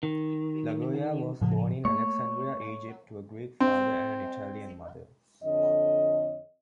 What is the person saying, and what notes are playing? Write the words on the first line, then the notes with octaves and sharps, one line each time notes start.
Lagoya was born in Alexandria, Egypt, to a Greek father and an Italian mother.
D#3
A2 C#3 F3
A3 A#3 C#5
C4
F2 D3 C#5 D#5